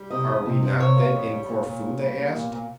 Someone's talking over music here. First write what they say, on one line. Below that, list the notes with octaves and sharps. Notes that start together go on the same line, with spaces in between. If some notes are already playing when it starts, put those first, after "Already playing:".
"Are we not, then, in Corfu?" they asked.
Already playing: G3
C3 D#5
F2
C3
C3
C3 C#5
A#3
F2
G3
A#2
A#2
A#3
G3
A#3
A#2
A#2